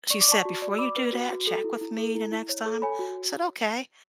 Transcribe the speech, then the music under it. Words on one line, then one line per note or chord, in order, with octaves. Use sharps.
she said, "Before you do that, check with me the next time." I said, "Okay."
D5 C#6
D6
D5 A5 C#6
F#4
D5
E6
D5 B5 D6
B4
F#4
F#4
A4
E4
E4
A4
E4
E4
C#5
A4
C#5 G#5 B5
F#4